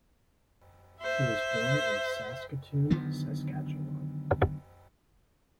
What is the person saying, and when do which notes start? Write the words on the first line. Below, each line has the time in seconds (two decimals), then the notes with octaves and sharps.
He was born in Saskatoon, Saskatchewan.
1.02 C5 E5
2.90 D3 D#3 F#3 B3